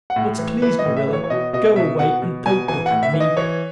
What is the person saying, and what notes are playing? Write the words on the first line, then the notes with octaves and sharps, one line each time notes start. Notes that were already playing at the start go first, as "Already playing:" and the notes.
But please, Marilla, go away and don't look at me.
F#5
A2
E3
E3 B4
D#5
A2
E5
E3
C#5
C#5
B2 D#5
B2 D#5
B2 E5
B2 F#5
B2
B2 G#5
E3 G#5
A2 F#5
E5
E3
D#5
E3 C#5